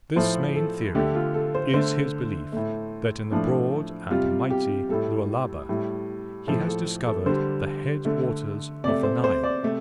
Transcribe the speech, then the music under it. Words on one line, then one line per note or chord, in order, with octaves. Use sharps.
This main theory is his belief that in the broad and mighty Lualaba he has discovered the head waters of the Nile.
A2 F3 A3 C5
A4
D3 A3 G4
F4
A4
C5
D3 A3 C5
A2 A3
A2 F3 A3 D4
C3 G3 F4
G4
A2 G3 A4
A2 G3
A2 F3 A3 A4
A4
A4
D3 G3 C5
D3 A3
C3 A3 D5
C5
C5
D5
C3 A3